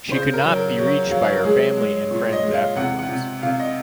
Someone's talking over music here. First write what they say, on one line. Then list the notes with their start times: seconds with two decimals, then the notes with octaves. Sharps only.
She could not be reached by her family and friends afterwards.
0.12 C#3 C5
0.34 A#4
0.45 F#3
0.56 A#4
0.78 F#3 C#5
1.11 F#3 F5
1.33 A#4
1.44 G#3 G#4
1.77 G#3
2.11 A#2
2.32 D#5
2.43 G#3
2.54 F5
2.76 C3 F#5
2.99 F#5
3.09 C3
3.42 C3 F5
3.59 D#5